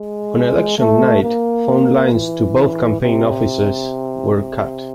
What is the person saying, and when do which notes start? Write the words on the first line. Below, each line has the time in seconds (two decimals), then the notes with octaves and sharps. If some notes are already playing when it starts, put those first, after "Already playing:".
On election night phone lines to both campaign offices were cut.
Already playing: G#3
0.79 A3
1.23 A#3
2.13 E3
3.01 C3
4.35 C3